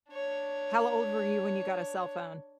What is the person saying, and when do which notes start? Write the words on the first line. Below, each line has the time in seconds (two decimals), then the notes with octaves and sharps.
How old were you when you got a cell phone?
0.11 D4 C#5